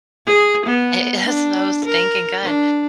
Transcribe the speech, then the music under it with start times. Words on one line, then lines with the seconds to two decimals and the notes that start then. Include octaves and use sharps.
It is so stinking good.
0.26 G#4
0.66 B3
1.24 D4
1.85 A#4
2.43 D4